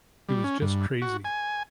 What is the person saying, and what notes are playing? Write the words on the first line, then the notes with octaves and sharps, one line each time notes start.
It was just crazy.
G3
C#4
G2
F#4
G#5